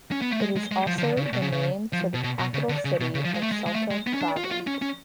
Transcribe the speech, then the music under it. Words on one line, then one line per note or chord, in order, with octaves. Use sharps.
It is also the name for the capital city of Salta Province.
C#4
B3
A3
G#3
G#3
G#3
F3
F3
D3
C#3
B2
C#3
C#3
F3
B2
B2
B2
C#3
D3
C#3
B2
C#3
F3
G#3
A3
G#3
G#3
A3
G#3
B3
C#4
D4
F4
F#4
F4
C#4
C#4